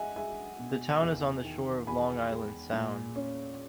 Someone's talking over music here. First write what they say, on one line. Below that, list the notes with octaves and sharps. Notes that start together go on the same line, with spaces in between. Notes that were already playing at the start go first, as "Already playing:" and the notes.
The town is on the shore of Long Island Sound.
Already playing: G#3 D#5 E5 F#5 G#5
G#3 E5 G#5
B2
E2
D#3
E2 G#5 B5
G#3
A#2
C#4